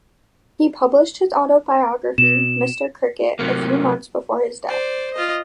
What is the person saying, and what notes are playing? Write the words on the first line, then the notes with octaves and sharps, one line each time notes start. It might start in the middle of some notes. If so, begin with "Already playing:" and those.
He published his autobiography "Mr Cricket" a few months before his death.
B2 E7
C3 F#3 A3 A#3
C5 D5
F4 D#5